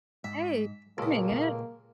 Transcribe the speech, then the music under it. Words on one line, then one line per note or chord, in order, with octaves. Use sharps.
Right doing it.
G#2 E5
C#2 A#2 A#3 G4 A4 D#6